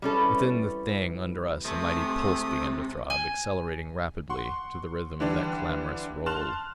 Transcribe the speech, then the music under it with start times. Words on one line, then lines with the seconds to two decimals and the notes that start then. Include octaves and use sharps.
Within the Thing under us a mighty pulse began to throb, accelerating rapidly to the rhythm of that clamorous roll.
0.02 C3 E3 G3 C#4 E4 A4
1.65 C3 G#3 A3 C#5 D#6
3.10 G#5
4.30 F#5 C6 C#6
5.20 D3 E3 G3 D4 G4
6.26 A5 C6 F6 F#6 E7 F7